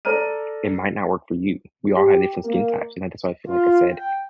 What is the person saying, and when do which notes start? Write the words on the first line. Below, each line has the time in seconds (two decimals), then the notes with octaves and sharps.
it might not work for you. We all have different skin types, and that's why I feel like I said,
0.05 A4 D5 A#5 F6 D#7
1.96 G4
2.45 A#3
3.48 F4
3.93 G5